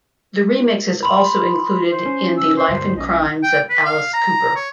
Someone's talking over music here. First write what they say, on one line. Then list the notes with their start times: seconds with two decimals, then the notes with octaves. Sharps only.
The remix is also included in "The Life and Crimes of Alice Cooper".
1.03 B5 C6
1.89 C5
2.06 C#4
2.36 E6
2.57 C5
2.68 D2 G2 D3
2.96 A#1 C#4 D#5
3.43 G5
3.70 B4
3.85 F5
4.13 A#5
4.56 C#5